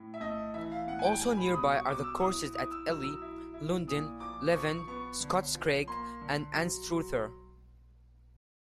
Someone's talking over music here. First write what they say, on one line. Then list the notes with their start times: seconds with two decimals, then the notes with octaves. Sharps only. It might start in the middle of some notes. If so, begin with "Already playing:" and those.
Also nearby are the courses at Elie, Lundin, Leven, Scotscraig and Anstruther.
Already playing: A2
0.14 E5
0.20 A3 D#5
0.54 E3 E5
0.72 F5
0.87 A2 F#5
0.99 G#5
1.04 G5
1.20 G3 G#5
1.37 B5
1.54 B2 D#6
1.72 C#6
1.87 B2 D6
2.04 E6
2.20 E4 D#6
2.54 E4 D#6
2.71 E6
2.87 F#3 E6
3.04 E6
3.21 E4
3.54 E4
3.87 A#2 D#6
4.20 F3 D6
4.54 F3 C#6
4.71 C#6
4.87 B3 C#6
5.20 D3
5.55 F3
5.87 A#3 C6
6.21 D3
6.53 F#3
6.87 F#3